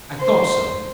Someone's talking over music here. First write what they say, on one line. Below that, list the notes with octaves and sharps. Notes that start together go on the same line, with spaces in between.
I thought so.
C5